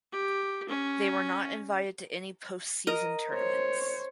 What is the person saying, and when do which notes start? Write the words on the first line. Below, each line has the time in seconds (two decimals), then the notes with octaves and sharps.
They were not invited to any post season tournaments.
0.12 G4
0.69 C#4
2.87 A#4 D#5
3.31 C5 C#5